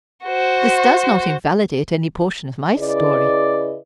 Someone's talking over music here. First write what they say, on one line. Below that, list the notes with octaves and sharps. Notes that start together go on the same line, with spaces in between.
This does not invalidate any portion of my story.
F#4 C5
C#3 E4 G#4 B4 D5 D#5